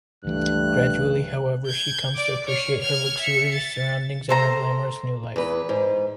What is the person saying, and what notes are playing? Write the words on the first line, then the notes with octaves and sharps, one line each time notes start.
Gradually, however, she comes to appreciate her luxurious surroundings and her glamorous new life.
C#2 G2 E3 A3 F#6
G6 G#6
D5 D6
C#5 F6
F6 G#6
E5 C#7
A6
A4 C5 A#5
E2 B4
G#2